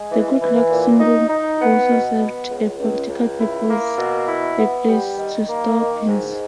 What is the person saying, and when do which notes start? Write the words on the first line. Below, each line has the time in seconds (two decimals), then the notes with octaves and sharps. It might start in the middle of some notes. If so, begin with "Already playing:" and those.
The good-luck symbol also served a practical purpose-a place to store pins.
Already playing: G#3
0.10 E3
0.40 E3
0.70 A#2
1.00 D#4
1.29 D#4
1.59 B3
1.90 B2
2.19 B3
2.49 C#2
2.79 C#2
3.09 C#2
3.39 E4
3.68 A#3
3.98 B2
4.28 E4
4.58 B3
4.87 G3
5.18 D#3
5.48 A#3
5.78 D#3
6.07 G#2